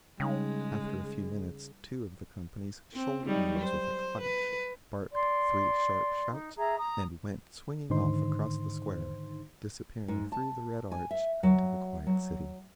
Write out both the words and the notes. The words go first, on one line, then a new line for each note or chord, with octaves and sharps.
After a few minutes two of the companies shouldered arms with a clash, barked three sharp shouts, and went swinging off across the Square, disappearing through the Red Arch into the quiet city.
C#3 G3 G#3 D#4
C4
F#3 G3 D#4
C5
B4
D5 C6
D#4
G#4 E5 A#5
A#5 D#6
G#2 D3 D#3 D#4 C5 C6
G#2
A5
G#5
E5
F#3
F#3